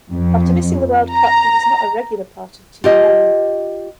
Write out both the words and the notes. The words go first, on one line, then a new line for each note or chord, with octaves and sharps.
After missing the World Cup, he was not a regular part of Team Melli.
F2
A#5
F4 G4 D#5